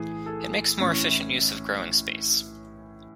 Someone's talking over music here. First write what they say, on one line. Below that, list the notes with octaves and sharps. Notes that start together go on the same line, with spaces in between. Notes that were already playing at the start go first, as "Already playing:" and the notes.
It makes more efficient use of growing space.
Already playing: A2 E3 G#4
A4
A2 E3 C#4 C#5
E4 E5